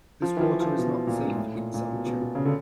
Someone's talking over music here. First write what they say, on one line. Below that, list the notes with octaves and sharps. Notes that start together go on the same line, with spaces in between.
This water is not safe for consumption.
F3
E3
F3
F3
B2
A#2
G#2
A2
A#2
A#2
B2
B2
B2
C#3
D3